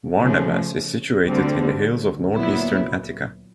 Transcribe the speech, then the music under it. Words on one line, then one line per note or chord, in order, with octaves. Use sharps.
Varnavas is situated in the hills of northeastern Attica.
C#3 F3 A3
D2 D3 G3 C4
A#2 F#3 B3 E4